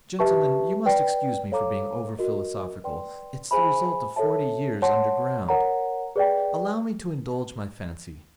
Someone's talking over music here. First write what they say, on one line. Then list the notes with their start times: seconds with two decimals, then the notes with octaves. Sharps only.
Gentlemen, you must excuse me for being over-philosophical; it's the result of forty years underground! Allow me to indulge my fancy.
0.19 G4 B4 E5 A5 C#6
0.86 B4 D5 G5
1.52 A4 C#5 F5 A#5 D6
2.19 F#4 A#4 D#5
2.84 B4 D5 G5 C6
3.51 G#4 C5 E5 G#5 B5
4.16 A4 C#5 E5 A5
4.82 C#5 F#5 A5 C6
5.49 A#4 C#5 F#5 A#5
6.16 G#4 B4 D5 G5